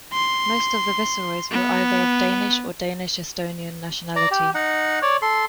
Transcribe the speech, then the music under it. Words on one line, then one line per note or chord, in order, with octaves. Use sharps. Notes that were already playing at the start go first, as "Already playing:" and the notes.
Most of the viceroys were either of Danish or Danish-Estonian nationality.
C6
B3
D5 A#5
G4
D#4 F#5
C#5 D5
A4 C6